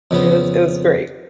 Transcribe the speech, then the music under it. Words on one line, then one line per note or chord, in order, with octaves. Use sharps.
It was it was great.
F2 C#3 B3